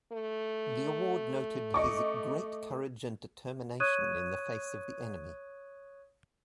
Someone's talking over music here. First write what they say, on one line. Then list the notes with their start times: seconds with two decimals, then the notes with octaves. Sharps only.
The award noted his "great courage and determination in the face of the enemy".
0.12 A3
1.74 D#5 C#6 D6
3.80 C#5 C#6 D#6 F#6 G#6 D#7